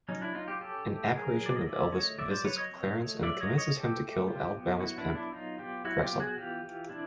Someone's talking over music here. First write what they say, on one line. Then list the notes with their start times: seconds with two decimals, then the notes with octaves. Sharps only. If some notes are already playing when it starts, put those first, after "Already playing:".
An apparition of Elvis visits Clarence and convinces him to kill Alabama's pimp Drexl.
0.08 F#3 C#4 D#4
0.22 D4 E4
0.34 F#3 D#4 F4
0.48 F4 G4
0.61 C#4 G4 A4
0.88 A3
1.13 F#3 G#4 A#4
1.39 F#3
1.46 D5
1.56 D#5
1.66 C#4 D5 E5
1.92 A3 C#5 D#5
2.18 F#3 D5 E5
2.31 C5 D5
2.44 F#3 B4 C#5
2.58 C#5 D#5
2.70 C4
2.97 A3
3.23 F#3 D5 E5
3.40 C#5 D#5
3.49 F#3
3.58 C#5 D#5
3.75 C4 G4 A4
4.02 A3
4.27 F#3 F4 G4
4.54 B3
4.80 F#3 E4 F#4
4.98 D4 E4
5.07 B3
5.15 D4 E4
5.32 F#3 D#4 F4
5.59 B3 F4 G4
5.85 F#3 E4 F#4
6.02 F4 G4
6.11 B3
6.20 F#4 G#4
6.37 E3 F4 G4
6.63 E3
6.89 C4 D4 E4